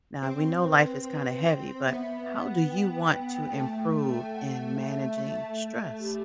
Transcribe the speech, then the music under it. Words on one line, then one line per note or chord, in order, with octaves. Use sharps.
now, we know life is kinda heavy, but how do you want to improve in managing stress?
C4 C5
B4
B4
C5
B3 E5
F#5
G5
A3
F#5
E5
A3
G4